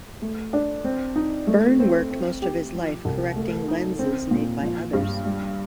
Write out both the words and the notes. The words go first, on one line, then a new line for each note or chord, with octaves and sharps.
Byrne worked most of his life correcting lenses made by others.
A3
D4
C4
D#4
A3
C4
C4
G4
F3
C2
A3
D#4
C4
A#2
F3
G2
G3